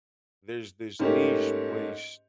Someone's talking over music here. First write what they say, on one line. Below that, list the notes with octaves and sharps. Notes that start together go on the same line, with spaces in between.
there's this niche place
G#2 A3 A#3 C#4 G4